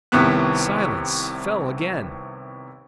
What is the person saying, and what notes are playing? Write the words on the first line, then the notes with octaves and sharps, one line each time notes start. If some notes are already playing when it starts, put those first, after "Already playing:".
Silence fell again.
C2 A2 C3 D#3 B3 F#6